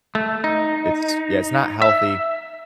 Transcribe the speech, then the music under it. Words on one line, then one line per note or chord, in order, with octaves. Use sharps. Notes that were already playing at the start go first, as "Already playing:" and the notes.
It's Yeah, it's not healthy.
A3
D#4
E5